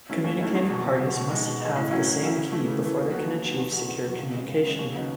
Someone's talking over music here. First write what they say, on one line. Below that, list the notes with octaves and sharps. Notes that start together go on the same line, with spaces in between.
Communicating parties must have the same key before they can achieve secure communication.
D#3 A3 C#4 E4
D#2
D#3 A3 C#4 E4
E2
B2 F#3
E2
B2 F#3
B2
G#3 D#4
B2
G#3 D#4
A2
F#3 C#4 E4
A2
F#3 C#4 E4
C#3
E3 A3
C#3
E3 A3
D#2
D#3 F#3 B3
D#2
D#3 F#3 B3
E2
B2 F#3
E2
B2 F#3
C#2
C#3 G#3
C#2
C#3 G#3
D#2
C#3 F#3 B3 D#4